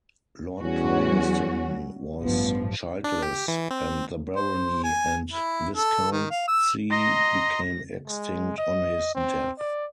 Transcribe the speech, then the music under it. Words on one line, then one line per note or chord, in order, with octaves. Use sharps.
Lord Palmerston was childless and the barony and viscountcy became extinct on his death.
E2 G3 C#4 F#4
A1 G2 F3 B3
D4
G4
E3
C4
C5
G#5
E4
A4
D#3
F5
E6
D#5 A#5 C6 A#6
G#3
D#5
C4
D5